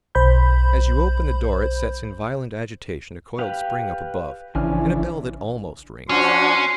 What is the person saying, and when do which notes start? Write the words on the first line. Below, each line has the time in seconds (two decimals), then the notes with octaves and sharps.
As you open the door, it sets in violent agitation a coiled spring up above and a bell that almost rings.
0.15 B1 C5 B5 G6
3.39 G4 B4 F5
4.55 A1 C#3 E3 F3 D4 G#5 F6
6.09 F3 C#4 D4 F#4 C6